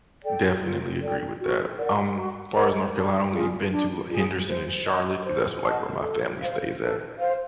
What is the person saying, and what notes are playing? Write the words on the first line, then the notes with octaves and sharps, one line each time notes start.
Definitely agree with that, um, far as North Carolina, only been to Henderson and Charlotte, 'cause that's, like, where my family stays at,
A4 D5 G5
F4
A4 D5 G5
F#4
A#4 D5 F#5
F#4
A#4 D5 F#5
D4
F4 G#4
D4
F4 G#4
C5
D#5 F#5 A5
C5
D#5 F#5 A5
A4
C5 F5
A4
C5 F5